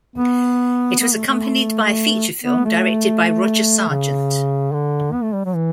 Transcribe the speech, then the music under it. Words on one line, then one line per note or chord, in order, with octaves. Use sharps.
It was accompanied by a feature film, directed by Roger Sargent.
B3
B3
A3
A3
A3
B3
A3
C#3
D3
B3
A3
G3
F#3
E3